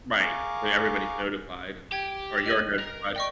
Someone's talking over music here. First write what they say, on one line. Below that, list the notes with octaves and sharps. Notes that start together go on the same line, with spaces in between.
right, where everybody's notified and or you're notified.
G#4 A#4 F5 C#6 D6
G4 G5 G#6
D#5 D#7 F#7
A#4
D5 D#5 G5 C#6